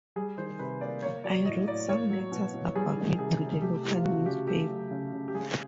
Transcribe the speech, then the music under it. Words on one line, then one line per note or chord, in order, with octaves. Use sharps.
I wrote some letters about it to the local newspaper.
G3 G#4
D#3 C5
C3 B4
A#3 D5
A#3 C#5
F#3 D5
A2 D#5
A2 D5
A#3 C#5
F#3
B2
B2
G3 G#4
D#3
C3 G#4
C3
A3 G4
E3 G4
F4
C#3 F#4
C#3 G4
A3 G4
F#3
C#3
C#3
G4
G#3 G#4